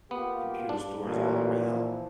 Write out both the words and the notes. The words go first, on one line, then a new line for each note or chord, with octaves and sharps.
computer stores all around
A#3 B3 F4 G4
G2 D4
A1 A#2
E3 F3